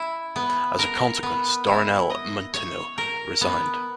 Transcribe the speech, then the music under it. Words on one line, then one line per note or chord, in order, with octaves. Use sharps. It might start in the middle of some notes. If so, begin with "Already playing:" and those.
As a consequence, Dorinel Munteanu resigned.
Already playing: E4
B3
A#4
B3
E4
D#5
C#5
A#4
B3